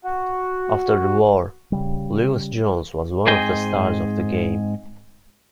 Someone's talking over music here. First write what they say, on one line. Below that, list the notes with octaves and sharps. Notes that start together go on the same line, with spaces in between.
After the war Lewis Jones was one of the stars of the game.
F#4
C#3 G3
G#2 C4 G#4 D#5 G5